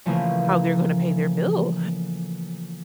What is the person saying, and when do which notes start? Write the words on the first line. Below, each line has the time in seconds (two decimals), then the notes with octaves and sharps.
how they're gonna pay their bills,
0.06 C#3 E3 F3 A3 A#3 C#4